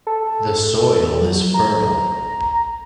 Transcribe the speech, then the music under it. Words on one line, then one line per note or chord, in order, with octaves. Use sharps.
The soil is fertile.
A4
F#3
A#5